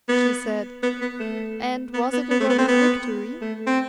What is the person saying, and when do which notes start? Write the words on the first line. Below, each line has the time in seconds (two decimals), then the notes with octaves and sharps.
She said, "And was it a word of victory?"
0.09 B3
0.83 B3
1.01 B3
1.20 A3
1.94 B3
2.13 B3
2.31 B3
2.40 A3
2.50 B3
2.58 C4
2.68 B3
3.42 A3
3.67 C4